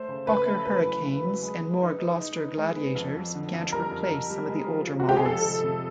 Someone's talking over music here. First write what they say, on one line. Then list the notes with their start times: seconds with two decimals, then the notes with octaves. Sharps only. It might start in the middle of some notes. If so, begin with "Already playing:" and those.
Hawker Hurricanes and more Gloster Gladiators began to replace some of the older models.
Already playing: A3 C5
0.09 C#3
0.27 A3 B4
0.46 A3
0.65 F#3 B4
0.84 E2
1.03 C#3
1.23 F#3
1.43 G#3
1.62 B3
1.81 D#4
2.00 D#4
2.19 D#4
2.38 D#4
2.57 G#3
2.76 B3
2.95 F2
3.15 F2
3.35 D3
3.54 F2
3.72 G3 A#4
3.91 F2
4.10 F2
4.30 G3
4.48 G#3
4.68 F3
4.87 F3
5.00 F#4
5.07 G#3 G4
5.17 G#4
5.26 F2 A4
5.45 C3
5.64 C3